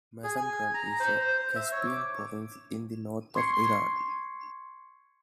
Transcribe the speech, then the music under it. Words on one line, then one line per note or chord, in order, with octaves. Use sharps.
Mazandaran is a Caspian province in the north of Iran.
G#4
G#5
A#5
C5
C5
E5
C#5
D6
C6 C#6 G#6 C7 C#7